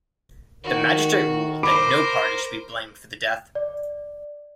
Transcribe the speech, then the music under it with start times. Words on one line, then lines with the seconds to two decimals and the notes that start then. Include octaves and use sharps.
The magistrate ruled that no party should be blamed for the death.
0.64 D#3 F#4
1.63 A#4 C5 B5 D6 D7
3.55 D5